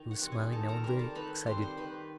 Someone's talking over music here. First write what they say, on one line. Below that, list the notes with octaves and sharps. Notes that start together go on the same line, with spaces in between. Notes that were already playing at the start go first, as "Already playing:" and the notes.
He was smiling now and very excited.
Already playing: D#3
F#4 F#5
G3 C4
G#4 G#5
D#3 A4 A5
A#4 A#5
G3 C4 A#4 A#5
A4 A5
D#3 B4 B5
G3 C4 C5 C6
C5 C6
D#3 B4 B5